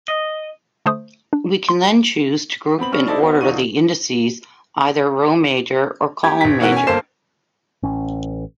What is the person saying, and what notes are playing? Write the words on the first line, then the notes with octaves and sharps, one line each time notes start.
We can then choose to group and order the indices either row-major or column-major.
D#5
D3 A3 C5 D#6
D4
C6
B3 C4 B5 F#7
B1 D4 B5 C#6 F6
D#4 E4 A4 C5 D5
B3 D#4 F#4 C5
E1 D3 D#4 F4 C#6 D#7
G4 G#6
A1 B6
B2 E3 F#4 A#4 F#5
C#4 G#5
G1 A#3 A4 C5 C7 E7
A1 C#4